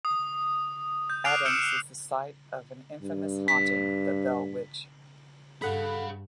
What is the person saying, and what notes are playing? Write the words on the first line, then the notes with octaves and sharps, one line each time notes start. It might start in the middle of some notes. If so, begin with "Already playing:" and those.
Adams is the site of an infamous haunting, the Bell Witch.
D#6
G6
D6 F6 F#6 C7 D7 F7
E6 F6 G6 C#7 D7 E7
G2
B6
G2 G#4 A4 F5 F#5 B5